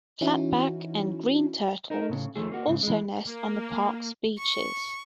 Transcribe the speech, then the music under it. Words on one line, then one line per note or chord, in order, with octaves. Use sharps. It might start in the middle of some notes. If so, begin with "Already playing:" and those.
Flatback and green turtles also nest on the park's beaches.
E3 C#4 D#4 E4 F#4
D#4 A#4
A2 C#3
D#2 F3 A3 G#4
A#3 F#4
G#2 C#3
E3 G#3
A#3
C#6